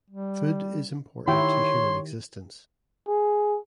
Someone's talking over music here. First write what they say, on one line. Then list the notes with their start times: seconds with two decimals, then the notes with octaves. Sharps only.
Food is important to human existence.
0.11 G3
1.28 D#3 E4 G4 C#5 G5 C6
3.08 G#4